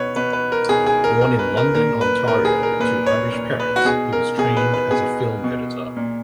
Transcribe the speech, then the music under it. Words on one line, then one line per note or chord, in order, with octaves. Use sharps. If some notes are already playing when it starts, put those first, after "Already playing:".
Born in London, Ontario, to Irish parents, he was trained as a film editor.
Already playing: B2 B4 C#5
B2 B4
B4
A#4
B2 G#4
G#4
A#4
B2 A#4
B4
A#4
A#2 A#4
B4
A#2 A#4
G#4
A#4
A#2 B4
C#5
A#2
B4
F#4
B2 G#4
A#4
B2 G#4
B4
B4
B2 G#4
B2
A#2